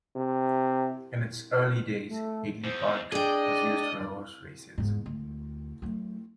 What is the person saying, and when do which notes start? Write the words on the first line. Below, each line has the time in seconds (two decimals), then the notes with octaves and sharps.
In its early days, Hagley Park was used for horse races.
0.16 C3
2.08 A3
2.64 E2 C5
3.12 D4 G#4 D5 D#5 G5
4.78 E2 G#2
5.06 D2
5.82 F#3 A3